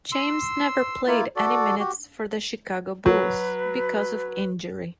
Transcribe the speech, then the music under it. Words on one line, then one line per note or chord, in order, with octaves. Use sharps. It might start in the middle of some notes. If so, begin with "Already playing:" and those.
James never played any minutes for the Chicago Bulls because of injury.
C6 E6
A#3 E4 F4
F#4 A4 D5
F#4 G4
F#3 B4